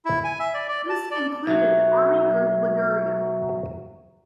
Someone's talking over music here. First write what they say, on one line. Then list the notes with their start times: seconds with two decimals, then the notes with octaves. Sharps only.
This included Army Group Liguria.
0.05 E4
0.24 G#5
0.39 E5
0.54 D5
0.69 D5
0.90 A5
1.11 D5
1.47 B1 F#3 E5